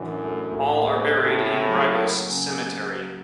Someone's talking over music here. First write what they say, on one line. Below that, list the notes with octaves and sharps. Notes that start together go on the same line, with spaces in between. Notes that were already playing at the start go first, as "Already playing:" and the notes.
All are buried in Brigus Cemetery.
Already playing: F#2 A2 E3 D4
A3
A2
G#2 A#3
C#3
A2
C#3
F#3
A#3
C#3